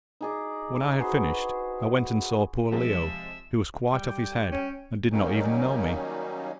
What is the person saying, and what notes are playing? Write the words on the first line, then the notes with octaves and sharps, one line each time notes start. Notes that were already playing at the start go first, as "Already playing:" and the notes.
When I had finished I went and saw poor Leo, who was quite off his head, and did not even know me.
D#4 G#4 D5
F#4 G#4 B4 C5
C3 F3 G#3 E5
G3 G5
C#4
D#3 F#3 G3 A#3 C#4 D#4